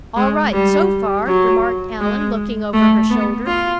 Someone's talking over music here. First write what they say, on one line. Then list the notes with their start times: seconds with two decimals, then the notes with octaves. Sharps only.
"All right, so far," remarked Allan, looking over her shoulder.
0.17 G#3
0.53 G3
1.26 F#3
2.01 G#3
2.73 A3
3.10 B3
3.47 F4